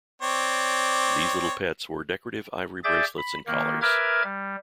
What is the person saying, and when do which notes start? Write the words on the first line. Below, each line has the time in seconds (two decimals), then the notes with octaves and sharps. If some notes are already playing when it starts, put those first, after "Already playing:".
These little pets wore decorative ivory bracelets and collars.
0.22 C4 C#5 D5
2.84 G#4 D5 E5 D6 G6 A6
3.17 B5
3.47 D#3 A#3
3.82 A#4 B4 E5 D6 F6 G#6
4.23 G3